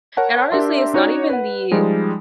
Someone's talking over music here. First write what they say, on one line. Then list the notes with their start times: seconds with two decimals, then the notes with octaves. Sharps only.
and, honestly, it's not even the
0.17 A#4 C#5 F#5 A5
0.52 D4 G4 A#4 E5 C6
0.93 C#4 D#4 F#4 C#5 D5
1.30 B4 F#5
1.71 F3 G3 G#3 D#4